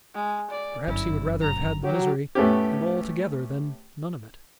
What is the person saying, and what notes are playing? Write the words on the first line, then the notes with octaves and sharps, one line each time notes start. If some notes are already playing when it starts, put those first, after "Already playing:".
"Perhaps he would rather have had the misery and all together than none of it."
G#3
D5
G1 F#2 E4
A#5
F#3 G4
A2 A3 B3 C#4 G4